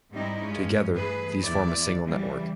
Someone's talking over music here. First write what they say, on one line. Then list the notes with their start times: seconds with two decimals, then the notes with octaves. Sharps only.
Together these form a single network.
0.13 G#2 G3 C4 D#4 E4
0.43 G2 G#3 C#4
0.93 E3 A3 G#4 B4
1.42 E2 E4 D5
2.05 C#3 E3 G3